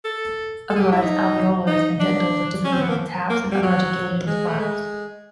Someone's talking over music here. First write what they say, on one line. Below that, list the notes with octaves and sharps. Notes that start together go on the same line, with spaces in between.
Otherwise, alveolars and dentals are typically called "taps" and other articulations "flaps".
A4
A4
G#4
G4
E4
D#4
D#4
D4
C#4
C4
B3
A#3
A#3
G3
F#3
G#3
A3
G#3